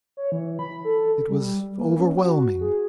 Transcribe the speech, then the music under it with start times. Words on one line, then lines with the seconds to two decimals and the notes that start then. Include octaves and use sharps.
It was overwhelming.
0.17 C#5
0.32 E3
0.59 B5
0.85 A4
1.29 G3
1.78 A#3
1.99 C#4
2.16 F#4
2.61 G#4